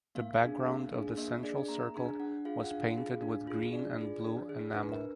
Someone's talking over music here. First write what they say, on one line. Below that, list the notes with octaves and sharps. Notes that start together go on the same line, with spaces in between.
The background of the central circle was painted with green and blue enamel.
A#3 F5
D4 G#4
A#3
D4 G#4
A#3 D#5
D4 G#4 D5
A#3 A#5
D4 G#4
D4 F#5
F4 G#4 F5
F#5
D4 F5
F4 G#4
D4
F4 G#4
D4 D5
F4 G#4
D4
G#4
D4 B4
A#4